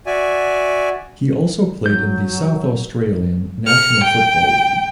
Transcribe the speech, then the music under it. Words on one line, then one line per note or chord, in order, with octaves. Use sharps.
He also played in the South Australian National Football League.
F#4 D5 E5 G#5
F#3 G6
F6 C#7
G5